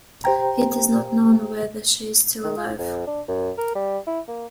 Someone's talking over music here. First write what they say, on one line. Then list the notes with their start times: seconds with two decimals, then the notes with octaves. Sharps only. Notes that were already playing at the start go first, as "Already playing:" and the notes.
It is not known whether she is still alive.
0.24 G4 C5 G5 A#5
2.44 D#3
2.57 F4
2.78 F2
3.07 D4
3.28 F#2
3.58 A#4
3.75 G3
4.07 E4
4.28 A#3